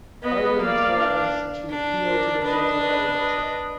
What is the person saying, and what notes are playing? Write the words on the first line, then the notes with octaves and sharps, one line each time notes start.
Harden tries to appeal to the judge's better nature.
B3 B4 D#5
A#3 D5 F5
D4
D4
A#4 D5
D4 B4 D#5
B4 D#5
B4 D#5